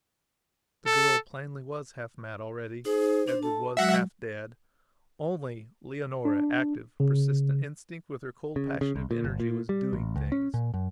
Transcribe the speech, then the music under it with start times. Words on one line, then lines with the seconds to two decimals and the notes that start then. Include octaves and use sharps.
The girl, plainly, was half-mad already; Edward was half dead; only Leonora, active, persistent, instinct with her cold passion of energy, was "doing things".
0.87 A4
2.85 D#4 G#4 C5
3.28 D4 C5
3.43 A4 A5
3.77 F#3 G#3 F#4 E5 F#5
6.25 D4
7.00 C#3
8.56 C#3
8.81 C#3
8.96 C2
9.11 A#2
9.24 G1
9.40 A#2
9.69 G3
9.93 A1
10.16 C#2
10.32 C#4
10.54 A#2
10.74 F#2